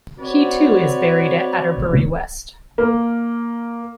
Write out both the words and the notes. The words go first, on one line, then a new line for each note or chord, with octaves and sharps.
He too is buried at Adderbury West.
C4 F#4 B4 C#5 D5
A#3